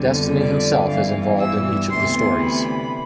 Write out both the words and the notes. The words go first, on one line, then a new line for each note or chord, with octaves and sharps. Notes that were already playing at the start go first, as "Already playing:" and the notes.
Destiny himself is involved in each of the stories.
Already playing: F2 D3 G3 B3
D5
G2 E3 B3 F5
E6
D2 C3 E3 B3 C6
B5